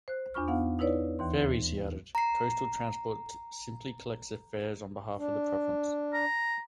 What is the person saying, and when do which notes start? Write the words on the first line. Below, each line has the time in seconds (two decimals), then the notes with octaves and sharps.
Ferries." He added, "Coastal Transport simply collects the fares on behalf of the province.
0.08 C5 F#6
0.34 E2 D4 F4 B5 C#6 F6
0.48 B3 D#4 F5 F#5
0.79 D#4 E4 B4 C#5 D5
1.19 D#2 E3 C6
2.15 A#5 C7
5.18 D4
6.13 A#5